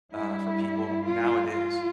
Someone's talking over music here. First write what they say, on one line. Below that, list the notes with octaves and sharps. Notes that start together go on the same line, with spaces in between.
uh, for people nowadays.
G2 G3 E4
F4
F4